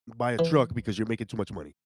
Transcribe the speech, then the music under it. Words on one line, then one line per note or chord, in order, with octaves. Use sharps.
buy a truck because you're making too much money."
E3